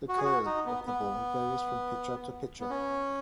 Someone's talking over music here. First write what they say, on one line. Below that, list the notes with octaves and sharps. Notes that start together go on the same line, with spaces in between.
The "curve" of the ball varies from pitcher to pitcher.
F#4
G#4
F#4
D#4
B3
B3
B3
C#4